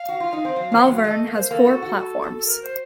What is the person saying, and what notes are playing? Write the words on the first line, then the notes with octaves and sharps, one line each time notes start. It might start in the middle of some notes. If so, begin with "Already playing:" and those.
Malvern has four platforms.
Already playing: F5
F#4
F4
D#4
C4
F#3
F3
F#3 F#5
F5
A3 D#5
A#3
C5
A#3 A4
F#4
F#4
A4
A4
A4
A#4
C5